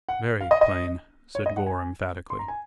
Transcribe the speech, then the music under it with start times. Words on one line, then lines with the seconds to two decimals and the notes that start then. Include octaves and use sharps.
"Very plain," said Gore, emphatically.
0.09 F#5
0.41 F5
0.51 D#5
0.61 D#5
1.35 C#5
1.46 D#5
1.57 F#5
1.66 G#5
2.30 C6
2.39 A#5
2.48 G#5